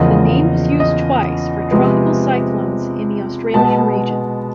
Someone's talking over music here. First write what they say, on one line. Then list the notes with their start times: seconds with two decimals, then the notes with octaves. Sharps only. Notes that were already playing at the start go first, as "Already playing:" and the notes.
The name was used twice for tropical cyclones in the Australian region.
Already playing: E2 C#3 F3 A#3 D#5
0.80 D#5
1.71 C3 F3 G#3 B3
3.54 B2 G#3 B3 A5